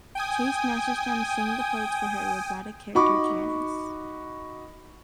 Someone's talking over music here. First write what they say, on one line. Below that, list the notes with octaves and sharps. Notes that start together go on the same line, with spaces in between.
Chase Masterson sang the parts for her robotic character Janice.
G5 G#5 D#6
D#4 F#4 B5 C#6 D6